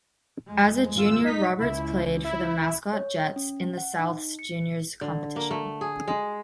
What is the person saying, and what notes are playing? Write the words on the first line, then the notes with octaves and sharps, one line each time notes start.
As a junior Roberts played for the Mascot Jets in the Souths juniors competition.
F2 G#3
G#1 F4 E6
D#4 B6
C#2 E4
E4
C#5
C#4
F#5
D#4
C#7
D3
A#3
A3
G#4
G#3